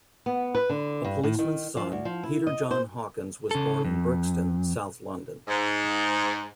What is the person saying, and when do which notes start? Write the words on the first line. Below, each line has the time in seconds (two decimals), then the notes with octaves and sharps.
A policeman's son, Peter John Hawkins was born in Brixton, south London.
0.26 B3
0.55 B4
0.69 D3
1.04 G2
1.23 A2
1.39 D#3
1.77 F3
1.92 D2
2.05 F3
2.23 E4
2.47 D#5
2.71 C5
3.51 C#3 A4
3.85 F2
5.48 G#2